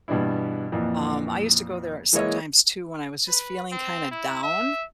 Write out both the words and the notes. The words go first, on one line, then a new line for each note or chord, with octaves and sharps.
um, I used to go there sometimes too when I was just feeling kinda down,
G2 B2 E3 D4 E4
F2 A#2 E3
E3 G#3 A#3 E4 C#5 D#5
B4
C4
E4
E5